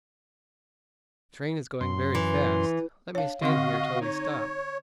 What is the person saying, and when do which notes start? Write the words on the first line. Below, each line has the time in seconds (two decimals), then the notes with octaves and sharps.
"The train is going very fast, let me stand here till we stop."
1.81 F#2 C6
2.15 E3
3.15 D4 C#5 F5
3.42 D3 C4 F#4 D#5 F5 C6
4.01 D#4 C#5